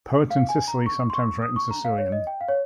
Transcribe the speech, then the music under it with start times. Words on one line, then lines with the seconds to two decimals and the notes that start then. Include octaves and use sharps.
Poets in Sicily sometimes write in Sicilian.
0.31 F5
0.49 G#5
0.68 A#5
0.86 C#6
1.10 C6
1.14 C#6
1.42 D#6
1.56 C#6
1.71 A#5
1.85 F5
1.98 C#5
2.12 D#5
2.27 G5
2.41 F5
2.49 C#5